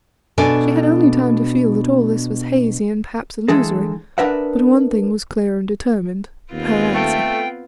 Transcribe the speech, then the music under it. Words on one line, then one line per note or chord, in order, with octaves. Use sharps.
She had only time to feel that all this was hazy and perhaps illusory; but one thing was clear and determined--her answer.
B2 D4 A4 D5 G#5
D3 E3 G#3 G#4 A4
D4 A#4 B4 E5 F#5
D#2 B3 C4 F4
A3 G5